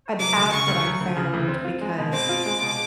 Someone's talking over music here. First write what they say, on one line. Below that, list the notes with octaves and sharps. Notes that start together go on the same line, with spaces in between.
an app that I found because
F#3 D6
D2
C#3 C#6
D2
F#3
D2
C#3
D2
C4
F4
G#3
B2
C4 D6
F4
G#3
B2